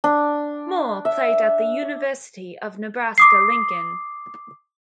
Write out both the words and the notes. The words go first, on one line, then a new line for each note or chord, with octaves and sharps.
Moore played at the University of Nebraska-Lincoln.
D4
E5
D6 D#6 C7